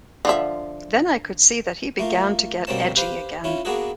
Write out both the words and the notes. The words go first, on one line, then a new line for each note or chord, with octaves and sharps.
Then I could see that he began to get edgy again.
D3 F3 E5
A3 A#3 F4
B2 G3 A#3 C4 C#4 A5
G4 B4 C5 F5
C#4 E4 F4
A#3 B3 D4 F#4 G#4 A4